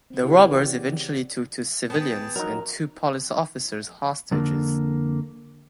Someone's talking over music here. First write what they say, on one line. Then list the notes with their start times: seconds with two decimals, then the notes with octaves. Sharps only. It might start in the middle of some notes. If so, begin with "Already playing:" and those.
The robbers eventually took two civilians and two police officers hostages.
0.10 C4
0.22 C#3 E4 G4 C#5 F#5
0.45 E3 G4 B4 D5
1.90 B3 G#4 B4 G5 A5
2.36 F#3 D#4 A#4
4.31 F2 D3 A#3